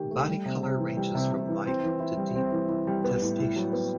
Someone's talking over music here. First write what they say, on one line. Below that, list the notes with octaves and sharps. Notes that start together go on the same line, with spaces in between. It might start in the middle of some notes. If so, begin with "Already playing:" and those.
Body color ranges from light to deep testaceous.
Already playing: D#3 A3 G4
A3
G3
C3
C3
E3
G3
C3
C3
E3
C4
E3
E4
G3
C4
E3
E4
G3
B3
A2
E4
F#3
B3